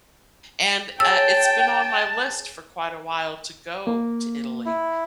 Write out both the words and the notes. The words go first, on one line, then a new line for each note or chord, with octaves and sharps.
And, uh, it's been on my list for quite a while to go to Italy.
G#4 C#5 G5 A5 E6
A#3
E4